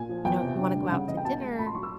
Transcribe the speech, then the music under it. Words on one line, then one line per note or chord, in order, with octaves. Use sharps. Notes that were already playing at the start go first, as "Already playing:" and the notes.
"You know, if you wanna go out to dinner"
Already playing: A#2 G#5
F3
E2 G5
C3
D3
G3
C#3 F#5
E3 D#5
G5
B2 A5
G#3
A#2 B5
C6
F#3 C#6
E6